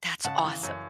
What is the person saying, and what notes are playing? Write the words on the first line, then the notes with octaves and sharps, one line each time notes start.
That's awesome.
C#3 F#5 A5
E3
F#2